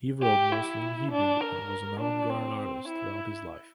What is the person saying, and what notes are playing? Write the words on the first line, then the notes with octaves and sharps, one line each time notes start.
He wrote mostly in Hebrew, and was an avant-garde artist throughout his life.
G4
E4
D4
A#4
D4
C4
E4